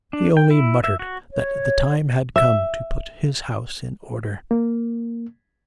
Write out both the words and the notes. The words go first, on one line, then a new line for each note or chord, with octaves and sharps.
He only muttered that the time had come to put his house in order.
D4
G5
E4
E5
F#4
C#5
E5
A#3